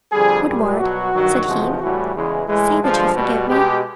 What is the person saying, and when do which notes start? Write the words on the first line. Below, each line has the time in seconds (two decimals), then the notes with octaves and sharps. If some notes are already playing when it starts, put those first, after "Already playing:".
Woodward,' said he, 'say that you forgive me.'
0.12 F2 D3 G3 G#4
0.47 A#2 G3
0.79 B2 F#3 F#4
1.13 G2 D#3 F#3
1.47 E2 C3 F3 G#3
1.80 A2 E3 G3 F#4
2.13 E2 C#3 E3 G#3
2.47 A2 E3 G#3
2.82 G2 D3 F3 G#3
3.14 B2 G3 F#4
3.47 B2 G#3 G4